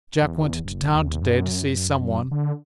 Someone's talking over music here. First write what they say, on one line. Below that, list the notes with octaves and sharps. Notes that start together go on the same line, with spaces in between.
Jack went to town today to see some one.
E2
F#1
D#2
F#2
D3